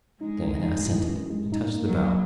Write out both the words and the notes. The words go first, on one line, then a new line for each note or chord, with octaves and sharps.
Diana assented, and touched the bell.
G#3 D#4
D#4
D#4
E3
F#2
G#3
D#4
A#3
F#3
A#3